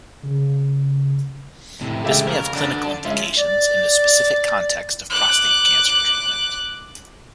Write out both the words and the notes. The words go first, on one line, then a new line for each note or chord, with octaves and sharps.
This may have clinical implications in the specific context of prostate cancer treatment.
C#3
A2 C3
C#3 G#3 A3 G4 E5
F2 C#3 A#4
D2 G2 D3 D4
A5
G#3 C#4 F4 E5
D5
D6 F#6